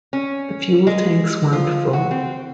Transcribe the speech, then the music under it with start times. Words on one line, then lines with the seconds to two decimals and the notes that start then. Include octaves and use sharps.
The fuel tanks weren't full.
0.13 C#4
0.87 G#3
1.53 F3
1.93 F#4
2.11 C4